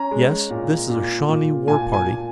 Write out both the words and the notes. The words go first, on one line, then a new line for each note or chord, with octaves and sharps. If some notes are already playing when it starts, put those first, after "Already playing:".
Yes, this is a Shawnee war-party.
Already playing: C#4 A#5
G#3
A#2
A#2
A#2
A#2 G#5
G#5
A#2